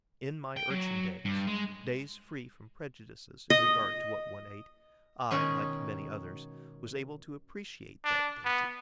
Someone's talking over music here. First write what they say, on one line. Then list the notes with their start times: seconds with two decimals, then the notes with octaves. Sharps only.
In my urchin-days, days free from prejudices in regard to what one ate, I, like many others, was able to appreciate that dainty.
0.57 G5
0.70 F#3
1.25 G2
1.47 G#3
3.50 D#5
5.31 B2 D#3 G#3 C#4 G#4
8.04 D4
8.45 B3